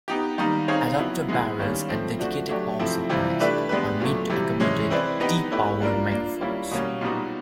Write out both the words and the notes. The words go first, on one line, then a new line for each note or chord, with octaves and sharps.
Adapter barrels, and dedicated power supplies, are made to accommodate T powered microphones.
B3 D#4 G4
D#3 G3 A#3 D#4
C4 D#4 G#4 C#5 F5
F#3 B3 E4
G#3 B3 E4 G#4
D#3 G3 A#3 C#4
F3 A3 C4
F3 A3 D4 F#4
F#3 A3 D4 G4
C3 F3 A3 C4 E4
C3 E3 G3 C4 F4
A3 D4 G4 B4 E5
G#3 B3 D4 G4 B4
A#2 F#3 A3
C3 E3 G3
C3 E3 G#3 C#4
C4 E4 G#4 B4 D5
B3 D#4 G4 B4 D#5
A3 C#4 E4 G4 B4
G3 A#3 D4 F4 A#4
A#3 D4 F4
G3 A#3 C#4 E4
B2 G3 A#3 C#4
A#2 G3 B3 D#4 F#4